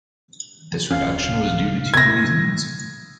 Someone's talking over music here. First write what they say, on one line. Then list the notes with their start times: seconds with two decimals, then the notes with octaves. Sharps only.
This reduction was due to two reasons.
0.90 D1 F2 C#4 F5
1.94 G#6 A#6